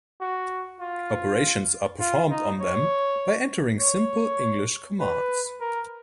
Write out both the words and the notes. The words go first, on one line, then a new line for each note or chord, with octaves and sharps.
Operations are performed on them by entering simple English commands.
F#4
F4
F4
D#4
C#5
C#5
B4
A#4